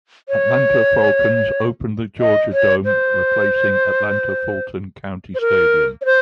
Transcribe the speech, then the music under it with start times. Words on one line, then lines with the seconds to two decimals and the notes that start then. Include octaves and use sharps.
Atlanta Falcons opened the Georgia Dome, replacing Atlanta-Fulton County Stadium.
0.29 C#5
2.20 D#5
2.53 C#5
2.85 C5
5.35 C5
5.41 A#4
6.01 C#5
6.05 C5